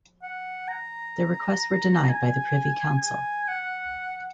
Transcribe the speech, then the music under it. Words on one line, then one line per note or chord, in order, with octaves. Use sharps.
Their requests were denied by the Privy Council.
F#5
A#5
G#5
G#5
F#5